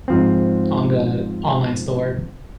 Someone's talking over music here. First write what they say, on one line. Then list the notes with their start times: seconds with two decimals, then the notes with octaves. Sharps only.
on the online store.
0.08 G#2 F3 C4